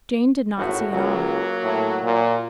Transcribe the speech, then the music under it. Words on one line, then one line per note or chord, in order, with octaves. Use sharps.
Jane did not see at all.
G#1 A2 F#4
C#2 F#3 A#3 F#4
A2
A#2